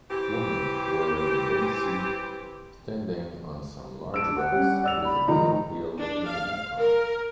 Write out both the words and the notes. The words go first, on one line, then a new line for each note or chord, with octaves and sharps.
Woman wearing a bodysuit standing on some large rocks with a green hill in the background.
E3 C4 G4
D4 E6 D7
F#5
G3 C#4
D5 E6 F7
B5
D#3 F3 D#4 A#5
D4
F5
A#4